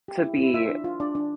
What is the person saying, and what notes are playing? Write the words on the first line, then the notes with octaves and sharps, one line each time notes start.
to be
G4
E4
E4
F4 E5
D4
F4
D4 D5
D4